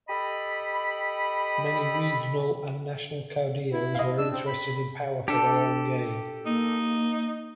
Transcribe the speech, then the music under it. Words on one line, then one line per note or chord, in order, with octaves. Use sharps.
Many regional and national caudillos were interested in power for their own gain.
G4 A4 D#5 B5
E4
D#5 F5
D4 E6
C4
B5
D4 G4 A4
A#3 D#4